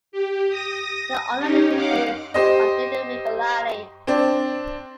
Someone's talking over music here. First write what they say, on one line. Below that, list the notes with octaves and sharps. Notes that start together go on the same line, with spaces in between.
The online edition is updated regularly.
G4
D#6 A#6
C#4 D#4 G4
D#4 F5 F#5 D6
G4 C5 D#5
C4 D4